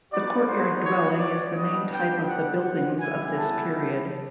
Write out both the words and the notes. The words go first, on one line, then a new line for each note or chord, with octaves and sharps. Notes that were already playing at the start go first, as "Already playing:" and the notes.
The courtyard dwelling is the main type of the buildings of this period.
B3 D#4 F#4 D5
C5
C#5
D5
G3 B3 D4 D#5
G5
F#5
F#5
G3 B3 E4 G#5
A5